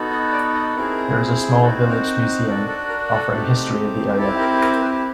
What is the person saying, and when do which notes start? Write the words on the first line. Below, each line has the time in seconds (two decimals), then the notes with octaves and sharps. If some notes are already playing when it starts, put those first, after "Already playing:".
There is a small village museum, offering history of the area.
Already playing: B3 D#4 F#4 A4
0.11 D#5
0.32 D5
0.54 D#5
0.76 C4 E4 G#4 A#4
1.61 C4 D#4 F#4 A4
1.89 A#4
2.47 D4 F#4 A4 A#4
2.68 A4
2.89 A#4
3.11 A4
3.32 A3 C4 D#4 G4
4.17 C4 E4 G4 A4
4.39 A#4
4.60 A#4
4.81 B4